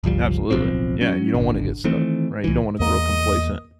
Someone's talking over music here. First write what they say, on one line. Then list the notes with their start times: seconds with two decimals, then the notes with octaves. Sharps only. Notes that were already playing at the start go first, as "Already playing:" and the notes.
Absolutely, yeah, and you don't wanna get stuck, right? You don't wanna grow complacent
0.04 G1 C#2 F3 G3
0.50 D1 B1 F3 C4
1.01 F#3 C#4
1.35 D#1 G#1 D3
1.84 D#3 E3 A3 C4
2.44 C2 E3
2.80 E2 A#3 D#5